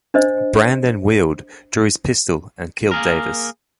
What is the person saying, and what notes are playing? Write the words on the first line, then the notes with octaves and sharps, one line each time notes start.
Brann then wheeled, drew his pistol, and killed Davis.
D4 C5 D#5
A#3 G#4 A#4